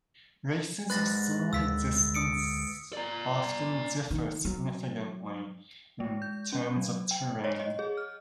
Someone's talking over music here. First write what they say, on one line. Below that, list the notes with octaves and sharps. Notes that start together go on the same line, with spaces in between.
Races of similar distance often differ significantly in terms of terrain.
G#2 G#3 B4 F#6 A6 A#6
D2 D3 D#3 E6 B6
D#6 C#7 D7
D5 A#5
D#3
F#3
G#3
G6
C#4
F#3
G5
C#5
D#5
G#4
F6